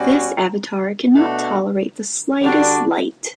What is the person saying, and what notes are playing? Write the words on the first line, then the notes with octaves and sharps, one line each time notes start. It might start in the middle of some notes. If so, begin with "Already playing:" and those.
This avatar can not tolerate the slightest light.
Already playing: B2 G3 C#4 F#4
B2 A3 D4 F#4
D3 G3 D4 F#4